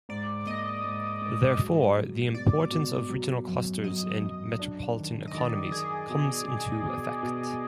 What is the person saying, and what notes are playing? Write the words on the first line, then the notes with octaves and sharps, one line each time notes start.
Therefore, the importance of regional clusters and metropolitan economies comes into effect.
G#2 D5
A#3 D#5
G#2
G#2
F#3
F#3
B2 D5
B2
F#3
F#2
F#2 D#5
F#2
D4
D#3
D#5
D#3 D5
D#3 G#4
B2
B2
B2
B2